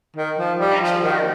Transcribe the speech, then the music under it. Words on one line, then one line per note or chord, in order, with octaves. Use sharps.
That should work.
D#3
F3
G3
F3
D#3